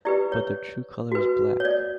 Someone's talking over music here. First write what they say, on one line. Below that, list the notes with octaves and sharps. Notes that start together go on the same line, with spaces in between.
But their true color is black.
E4 G4 B4 D5
C#5
F#4 B4
C#5
D5